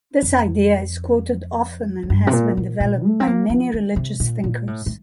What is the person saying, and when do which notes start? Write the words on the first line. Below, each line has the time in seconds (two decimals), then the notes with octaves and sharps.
This idea is quoted often and has been developed by many religious thinkers.
0.23 F2
2.03 F2
2.10 G2
2.27 C3
2.33 A#2
2.57 A#2
2.80 A#2
3.04 A3
3.20 C4
3.27 A#3
3.50 F3
3.74 D3
3.96 C3
4.20 A#2
4.44 A#2
4.67 A2
4.86 A2